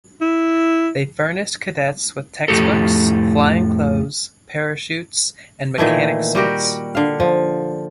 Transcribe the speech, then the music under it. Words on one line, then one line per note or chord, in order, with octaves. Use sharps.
They furnished cadets with textbooks, flying clothes, parachutes, and mechanic suits.
E4
F2 A2 G4 A4
A#2 D#3 E3 A3
G3 F#4 G4 A#4
D3 F5
F3